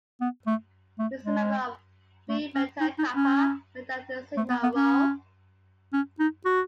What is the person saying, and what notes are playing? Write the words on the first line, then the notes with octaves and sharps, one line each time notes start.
He was a member of Phi Beta Kappa and Delta Sigma Rho.
B3
A3
A3
G#3
A3
C#4
D#4
D#4
C#4
A3
B3
B3
C#4
C#4
D#4
F#4